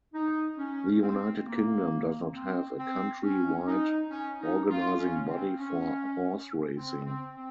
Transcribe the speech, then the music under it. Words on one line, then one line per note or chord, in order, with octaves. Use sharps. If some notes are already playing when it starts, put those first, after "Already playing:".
The United Kingdom does not have a country-wide organising body for horseracing.
D#4
C#4
C4
A#3
C4
C4
C#4
D#4
C#4
D#4
F4
C#4
C4
C#4
C4
C4
C4